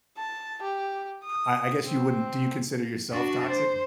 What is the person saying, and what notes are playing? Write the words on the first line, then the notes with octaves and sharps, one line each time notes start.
I I guess you wouldn't do you consider yourself toxic?
A5
G4
D#6
C4
D4 F#4
C5